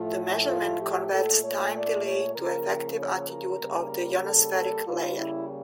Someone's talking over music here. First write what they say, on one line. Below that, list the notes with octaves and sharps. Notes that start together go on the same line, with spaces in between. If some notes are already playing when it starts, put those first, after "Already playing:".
The measurement converts time delay to effective altitude of the ionospheric layer.
Already playing: A2 F3 A3 F4
F4
G4
A#2 A3 A4
C#5
D5
C#5
C#3 F3 A#3 A#4
C#5
A#4
C#3 G3 A#3
A4
A4
C#3 G3 A#3 F4
E4